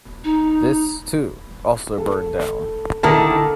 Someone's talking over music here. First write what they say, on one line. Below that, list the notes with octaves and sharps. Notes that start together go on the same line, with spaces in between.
This, too, also burned down.
D#4
A4
D3 D#3 E4 A4 A#4 A5